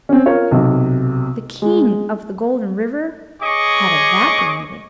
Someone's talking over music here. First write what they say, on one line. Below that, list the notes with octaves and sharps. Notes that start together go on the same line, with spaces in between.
The King of the Golden River had evaporated.
C4 C#4
F4 A#4 C#5 F5
B1 C3
G#3
G#4 C#5 D#5 C#6 D6